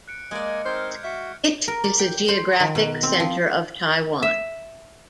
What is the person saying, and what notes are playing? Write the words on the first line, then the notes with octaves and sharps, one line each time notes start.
It is the geographic center of Taiwan.
F#6 C#7 D7
G#3 A#3 D5 D#5 G#5
C4 D#4 A#4 C5 F6 G6 G#6
F#4 E5 F6 C#7
A#4
D5
G5
C5
D#3
B2
C4
F3
E5